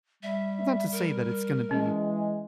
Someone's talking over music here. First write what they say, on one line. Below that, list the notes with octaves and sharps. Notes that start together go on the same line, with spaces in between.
Not to say that it's gonna be
G3 E5
A#4
E3 G#3 C#4